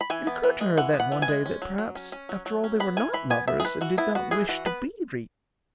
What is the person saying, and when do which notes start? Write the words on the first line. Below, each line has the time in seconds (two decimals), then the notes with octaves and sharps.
It occurred to her then, one day, that perhaps, after all, they were not lovers, and did not wish to be reunited.
0.01 B5
0.10 E3 G#5
0.27 B3
0.43 E3
0.61 G#3
0.77 E3 F#5
0.94 B3
1.00 F#5
1.12 E3
1.22 G#5
1.28 G#3
1.46 C#4
1.62 F#3
1.78 F#3
1.95 C#4
2.12 C#4
2.29 F#3
2.46 F#3
2.64 C#4
2.80 B3 B5
2.97 E3 G#5
3.14 E3 B5
3.30 B3 G#5
3.48 B3 E5
3.60 G#4
3.65 E3 B4
3.81 E3 F#4
3.98 B3 E4
4.15 B3 F#4
4.31 E3 G#4
4.49 E3 F#4
4.66 B3 B4